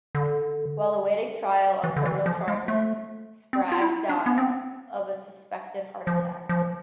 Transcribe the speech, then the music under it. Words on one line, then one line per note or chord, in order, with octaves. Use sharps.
While awaiting trial on criminal charges, Sprague died of a suspected heart attack.
D3
E3
D3
E3
F3
G#3
A3
C4
F4
E4
D4
B3
C4
F3
F3